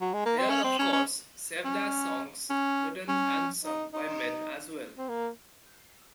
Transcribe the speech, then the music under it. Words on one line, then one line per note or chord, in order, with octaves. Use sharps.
There are of course, Sevdah songs written and sung by men as well.
F#3
G#3
A#3
C4
C#4
C4
C#4
C#4
C#4
C#4
C#4
D#4
D#4
C4
A#3